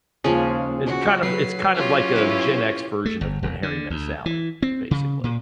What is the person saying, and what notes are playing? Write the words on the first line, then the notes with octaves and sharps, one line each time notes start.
is it kind of it's kind of like a Gen X version of When Harry Met Sally, basically.
D#2 C#3 F3 G#3 C#4 G#4
F#4
F#3 B4 C7
C#4 F4 G4
E4 B4
A3
G1
E1
D3
D2
E3
C4
C#3
A#2